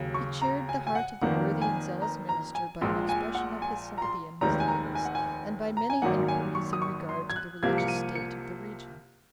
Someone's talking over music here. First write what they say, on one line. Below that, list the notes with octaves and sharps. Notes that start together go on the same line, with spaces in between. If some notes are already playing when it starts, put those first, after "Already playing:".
He cheered the heart of the worthy and zealous minister by an expression of his sympathy in his labors, and by many inquiries in regard to the religious state of the region.
Already playing: D#2 C#3 F#3
C#6
A#5
G#5
G#5
F#5
F1 F2 D#3 A#3 F#5
G#5
A#5
A#5
G#5
A#1 A#2 G#3
G#5
F#5
G#5
A#5
C6
F1 D#2 D#3 G#3 A#5
G#5
A#5
G#5
F#5
G#5
A#5
G#5
G#1 F#2 D#3 F#3 A#3 F#5
G#5
C#6
D#6
C#6
C6
G#6
F#6
C2 C3 F3 A#3 G#6
C#7
D#7
C#7